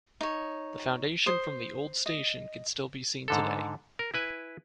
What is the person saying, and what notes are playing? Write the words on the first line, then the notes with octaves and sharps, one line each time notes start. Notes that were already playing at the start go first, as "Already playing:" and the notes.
The foundation from the old station can still be seen today.
D#4 C#5
C5 D#6
D#5
G#2 D3 A4
A#4
E4 B4 G#5